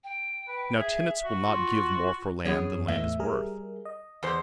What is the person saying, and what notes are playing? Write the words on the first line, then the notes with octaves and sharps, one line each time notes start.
Now tenants will not give more for land, than land is worth.
G5
B4
G#4 E5
F#4
F4
F#2 B3 G#4 C#5
E2 A2 E3 D#5 E5
G3 G#4 A#4
D#5
E2 C5